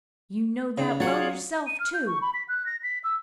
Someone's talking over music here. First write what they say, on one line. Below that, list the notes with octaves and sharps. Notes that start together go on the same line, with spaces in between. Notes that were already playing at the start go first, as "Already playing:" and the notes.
You know that well yourself, too.
C#3 D#4 G#4 D5
F#3 F4 F#4 G#4 C#5 D5 F#5
D#7
F6
G6
C#6
B5
B6
F#6
A#6
B6
E6